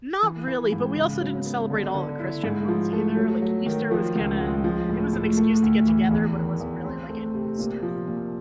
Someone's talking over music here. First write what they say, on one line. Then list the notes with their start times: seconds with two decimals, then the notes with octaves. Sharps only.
Not really, but we also didn't celebrate all a the Christian ones either. Like Easter was kinda, eh, it was an excuse to get together, but it wasn't really like an Easter thing.
0.23 E3
0.47 E3
0.72 G#2
0.96 C#3
1.21 F#3
1.45 B3
1.70 D3
1.94 D3
2.19 E4
2.44 G#2
2.68 F3
2.93 A3
3.17 F#3
3.42 F#3
3.66 D#3
3.91 F3
4.15 C#2
4.40 G#3
4.64 F3
4.89 A2
5.13 A2
5.37 A3
5.62 D2
5.87 E3
6.11 E2
6.36 D#3
6.60 E2
6.85 C4
7.09 A3
7.34 C3
7.58 A#2
7.83 F3
8.08 A#2